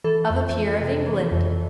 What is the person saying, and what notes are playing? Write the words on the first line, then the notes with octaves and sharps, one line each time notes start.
Of a peer of England.
E3 A4
F2
F2
C3
E3
F2